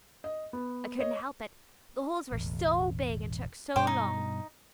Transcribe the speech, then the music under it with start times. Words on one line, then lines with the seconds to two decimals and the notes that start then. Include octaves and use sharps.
I couldn't help it, the holes were so big, and took so long.
0.24 D#5
0.53 B3
0.99 C#5 D#5
2.32 E1 A1
3.76 G2 B2 G4 C5 G5
3.87 D#4